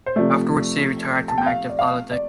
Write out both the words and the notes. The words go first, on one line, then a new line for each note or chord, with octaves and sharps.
Afterwards, he retired from active politics.
C5
C3 F3 A3 D5
A5
G5
F5
D5
F5
D5